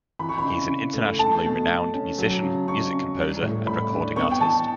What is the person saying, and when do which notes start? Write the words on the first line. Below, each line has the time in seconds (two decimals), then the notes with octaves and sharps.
He is an internationally renowned musician, music composer, and recording artist.
0.19 E3 B5
0.29 C#6
0.38 B5
0.44 C#3
0.69 C#3
0.93 A3
1.19 A3 A5
1.44 B2
1.68 B2
1.93 C#4
2.18 F#3
2.43 C#3
2.67 C#3 C#6
2.92 C#4
3.17 G3
3.42 A2
3.66 A2 B5
3.92 D4
4.16 B3 C#6
4.31 G5
4.41 E3 A5